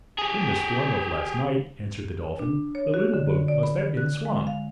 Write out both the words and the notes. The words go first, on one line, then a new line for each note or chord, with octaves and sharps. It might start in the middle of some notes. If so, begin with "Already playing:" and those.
"In the storm of last night," answered the Dolphin, "the little boat must have been swamped."
G4 G#4
D4
C#5
F#4
D3
D5
B5
F#6
G#3
F5